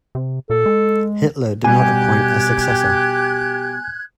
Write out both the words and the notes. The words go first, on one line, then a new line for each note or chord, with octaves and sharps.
Hitler did not appoint a successor.
C3
A#2 A4
G#3
B2 G3 G4 G#5 F#6 G#6